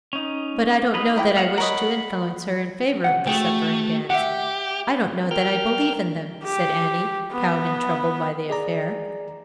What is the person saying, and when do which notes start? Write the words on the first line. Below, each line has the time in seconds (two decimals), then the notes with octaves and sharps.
"But I don't know that I wish to influence her in favour of the supper and dance; I don't know that I believe in them," said Annie, cowed and troubled by the affair.
0.13 C#4 D#4
0.94 D#4 B4
1.16 A#3 E4 G5
1.37 F5 F#5
1.58 A#4 C#5 D#5 F#5 B5
3.04 C2 A#2 F#5
3.27 A3 F#4 G#4 G5
4.10 G4 E5 F#5
5.31 A#4 G5 F6 G6
6.44 G4
7.32 B3
8.50 G#4 D5 A#5